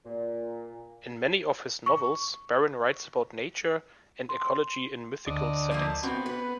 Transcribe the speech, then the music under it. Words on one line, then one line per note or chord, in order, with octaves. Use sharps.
In many of his novels, Barron writes about nature and ecology in mythical settings.
A#2
C#6
C6
D2 D5 D#5
F3 A3 A#3
B3 C4 F#4
B4